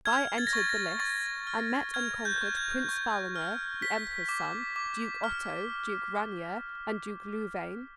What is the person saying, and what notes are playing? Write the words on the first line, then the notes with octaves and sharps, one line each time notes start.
Guy entered the lists and met and conquered Prince Philaner, the Emperor's son, Duke Otto, Duke Ranier, and Duke Louvain.
F6 G#6
A6
A#6
C#6 A6
A#6
C#6 A6
F6
F6 G#6
G6
C#6
G#6
C#6
F6
F6 B6
D6
D6
F6